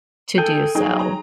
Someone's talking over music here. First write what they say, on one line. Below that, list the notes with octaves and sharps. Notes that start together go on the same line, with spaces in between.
to do so."
G#4 A4 G5
F#3 D#4 G#4 G5
A#5